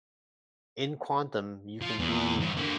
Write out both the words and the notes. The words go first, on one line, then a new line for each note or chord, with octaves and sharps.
In quantum, you can be
F3
E2
G2 D3
D3 A#3